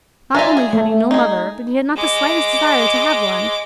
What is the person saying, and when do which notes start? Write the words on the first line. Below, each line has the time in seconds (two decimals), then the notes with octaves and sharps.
Not only had he no mother, but he had not the slightest desire to have one.
0.35 D4 F4 E5 G#5 A#5
0.57 G#4
0.73 A3
1.11 D#4 G#4
1.97 G#3 D6